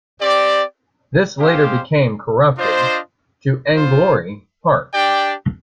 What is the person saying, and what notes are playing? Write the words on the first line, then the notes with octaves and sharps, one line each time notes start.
This later became corrupted to Englorie Park.
C4 G4 D5
G#3 C4 G4 C5 F5
D4 F4 C5 D#5
B3 F4 C5
D4 G4 D5 G5